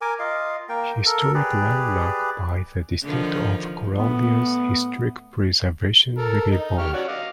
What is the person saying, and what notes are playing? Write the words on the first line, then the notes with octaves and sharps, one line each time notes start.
Historic Landmark by the District of Columbia's Historic Preservation Review Board.
A#4 G#5 D6
F4 D#5 F5
A#3 A#4 G5
A4 A#4
G4 G#4 B4 D5
D3 D#3 F3
A2 B3
A4 A#4
D#4
G4 C#6 F6
C#4 F#4 D5
D#5 F5 D6